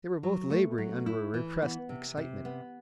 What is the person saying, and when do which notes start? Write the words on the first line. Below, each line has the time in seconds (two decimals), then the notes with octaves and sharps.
They were both laboring under a repressed excitement.
0.23 F#3
0.50 A3
0.78 F#3
1.06 E4
1.34 E3
1.62 B3
1.89 C3
2.17 C3
2.45 B3